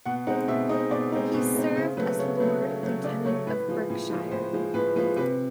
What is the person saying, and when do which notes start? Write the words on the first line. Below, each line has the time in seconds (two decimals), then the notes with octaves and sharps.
He served as Lord Lieutenant of Berkshire.
0.06 B2 F#5
0.27 G#3 C4 D#4 F#5
0.48 B2 E5
0.69 G#3 C4 D#4 D#5
0.91 B2 D5
1.12 G#3 C4 D#4
1.34 B2
1.54 G#3 C4 D#4
1.76 C#3 C5
1.97 F#3 A3 B4
2.19 C#3 C#5
2.40 F#3 A3
2.62 C#3
2.83 F#3 A3
3.04 C#3 D5
3.25 F#3 A3 C#5
3.47 A2 B4
3.68 F3 G#3
3.90 A2
4.10 F3 G#3
4.31 A2 C5
4.53 F3 G#3
4.74 A2 B4
4.96 F3 G#3 B4
5.16 C3 B4